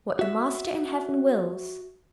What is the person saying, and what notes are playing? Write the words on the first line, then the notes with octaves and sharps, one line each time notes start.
"What the Master in heaven wills!"
F#4 E5